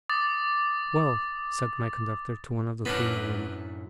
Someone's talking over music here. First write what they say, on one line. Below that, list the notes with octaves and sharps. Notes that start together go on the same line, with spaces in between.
'Well,' said my conductor to one of the three young women.
D6 D#6 A6
F#2 A2 B3 C#4 D4